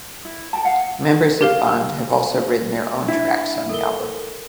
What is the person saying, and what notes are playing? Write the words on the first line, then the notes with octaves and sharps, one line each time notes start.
Members of Bond have also written their own tracks on the album.
E4
A4 G5 A5
F5 F#5
G4 A#4 F5
D4 E4
A4 A#4 G7